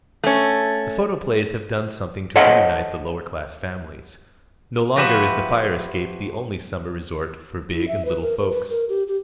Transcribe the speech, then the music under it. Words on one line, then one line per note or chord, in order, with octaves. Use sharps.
The photoplays have done something to reunite the lower-class families. No longer is the fire-escape the only summer resort for big and little folks.
A3 C#4
A4 C5 C#5 D#5 F5 F#5
F3 F#4 G4 B4 E5
E4
E5
B4
A#4
A#4
B4
A#4
G4
G4